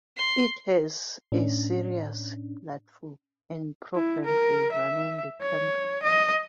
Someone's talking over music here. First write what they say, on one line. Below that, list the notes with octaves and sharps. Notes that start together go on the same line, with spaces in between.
It has a serious platform and program for running the country.
C6
A2 C#4 D4
E4
A#4
E5
C#5
D#5